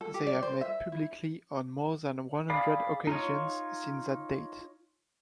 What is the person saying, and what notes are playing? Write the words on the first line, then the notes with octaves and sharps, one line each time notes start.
They have met publicly on more than one hundred occasions since that date.
A4
G4
D5
C5
E5
E4
G#4 D5 F5 B5
D#4 F4 C#5